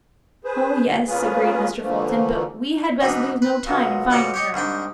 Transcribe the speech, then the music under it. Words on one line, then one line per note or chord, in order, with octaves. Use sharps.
"Oh, yes," agreed Mr. Fulton, "but we had best lose no time in finding her."
G#4 B4 C5
C3 A#3 C#4 F4 G#4 B4
D3 E3 F3 A3 A#3
G#2 B2 E3 D4 B5
B4
B1 A#2
F2 B2 C#4 D5
G4 C#5 D#5
C2 G#2 D4 G5